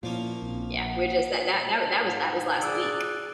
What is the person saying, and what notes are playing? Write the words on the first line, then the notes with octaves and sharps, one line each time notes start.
yeah, we're just that that that that was that was last week.
A#2 F3 A#3 C#4 E4
A#1 C4
F#5
G#2
G#4 D5 D#6 E6 F#6